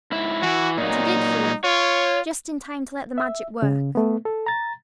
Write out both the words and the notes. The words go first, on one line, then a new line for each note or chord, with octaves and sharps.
And he did feel,--just in time to let the Magic work.
G#2 E4 E5
E3 F#4
A#2 F#3 D#4
F4 C#5
E5
C#3
A3 B3
A4
A#5 A6